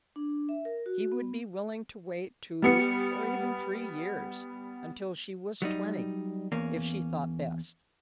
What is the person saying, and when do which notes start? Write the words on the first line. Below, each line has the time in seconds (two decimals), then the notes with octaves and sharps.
He would be willing to wait two, or even three years, until she was twenty, if she thought best.
0.16 D4
0.49 E5
0.65 A#4
0.86 F#4
1.12 B3
2.62 G3 B3 C#7
5.62 F#3 G3 D#4
6.52 E2 A#3 C#4